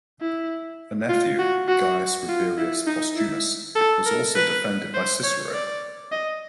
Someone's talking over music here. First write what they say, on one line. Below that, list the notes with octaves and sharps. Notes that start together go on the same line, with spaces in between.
A nephew, Gaius Rabirius Postumus was also defended by Cicero.
E4
F4
F#4
F#4
F4
E4
D#4
E4
A4
A#4
B4
C5
C#5
D5
D#5